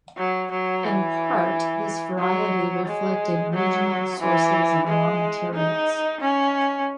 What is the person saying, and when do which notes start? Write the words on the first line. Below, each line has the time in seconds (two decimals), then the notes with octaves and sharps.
In part this variety reflected regional sources of raw materials.
0.18 F#3
0.51 F#3
0.85 E3
2.19 F#3
2.86 G#3
3.53 F#3
4.20 E3
4.87 G#3
5.54 D#4
6.21 C#4